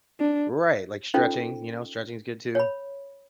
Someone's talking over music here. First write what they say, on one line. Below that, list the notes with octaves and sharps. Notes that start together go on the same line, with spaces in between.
Right, like stretching, you know, stretching is good too.
D4
C#4 D#4 F4 A4 C5 G5
C#5 B5